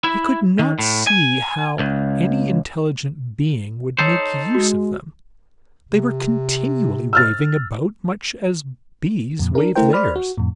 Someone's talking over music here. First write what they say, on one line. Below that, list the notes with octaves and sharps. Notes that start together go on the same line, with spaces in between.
He could not see how any intelligent being would make use of them; they were continually waving about, much as bees wave theirs.
E4
D#3
A2
G#5
C#2
D#4 A4 C5 C#5
G#3 F#4
C3
E6 F6 A6
F2 A#2
D4 A#4
A3 E4 A#4 C5 G5
C5 D5 B5 F6
F#4
F2 A2